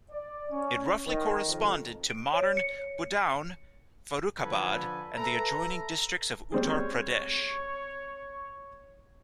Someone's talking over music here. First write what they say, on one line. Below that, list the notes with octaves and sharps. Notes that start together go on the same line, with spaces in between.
It roughly corresponded to modern Budaun, Farrukhabad and the adjoining districts of Uttar Pradesh.
D5
C#4
D#3
F2
D7
C#5
C#7
D3 F3 A4 B4 G#5 B5
A4 B4 E5 A#5
G3 C4 G#4 C#5